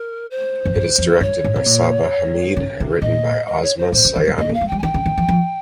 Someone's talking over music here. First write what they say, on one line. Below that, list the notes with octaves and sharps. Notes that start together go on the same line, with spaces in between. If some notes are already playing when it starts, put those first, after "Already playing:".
It is directed by Saba Hameed and written by Asma Sayani.
Already playing: A#4
C5
F2
G2
F2
G2 C#5
G#2
C3
A#2
C#3
C3
A#2 D#5
D#5
C#5
C5
A#2 C5
C#3
D#3
G3
A#3 D#5
A#3
F5
G#3
G3 G5
G#5
D#3 G5
C#3
D#3
F3
F3